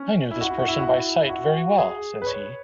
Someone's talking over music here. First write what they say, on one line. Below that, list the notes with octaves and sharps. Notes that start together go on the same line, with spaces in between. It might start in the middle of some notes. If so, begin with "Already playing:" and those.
"I knew this person by sight very well," says he.
Already playing: C#4
E4
F#4
E4
F#4
E4
F#4
E4
E4
F#4
G#4
B4
C#5